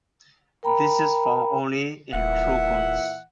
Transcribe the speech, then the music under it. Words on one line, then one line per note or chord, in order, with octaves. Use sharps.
This is found only in trogons.
A#4 G5 A#5 B5
D#1 A#2 E3 E5 F#5